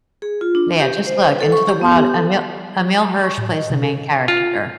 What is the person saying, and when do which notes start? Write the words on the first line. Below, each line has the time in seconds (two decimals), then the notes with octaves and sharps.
Yeah, just look, Into the Wild. Emil Emile Hirsch plays the main character.
0.22 G#4
0.41 F4
0.55 D4
0.80 G4
1.07 C5
1.24 B4
1.41 A4
1.52 C#6
1.67 G4
1.81 B3
1.96 G4
2.14 A4
3.24 C#6
3.38 A2
3.53 D#5
3.70 C3
3.83 A4
4.28 F4